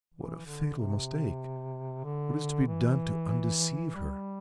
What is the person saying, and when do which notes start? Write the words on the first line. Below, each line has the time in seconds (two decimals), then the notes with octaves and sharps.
"What a fatal mistake! What is to be done to undeceive her?"
0.14 E3
0.46 D3
0.78 C3
2.04 D3
2.67 E3
3.95 G3